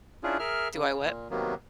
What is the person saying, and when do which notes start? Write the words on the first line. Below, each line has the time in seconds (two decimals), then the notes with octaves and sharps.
Do I what?
0.23 C#4 D4 E4 F4 G#4
0.39 G#4 A#4 E5 F6
0.73 C#3
1.04 A#2
1.30 C3 D#3 F#3 A#3 B3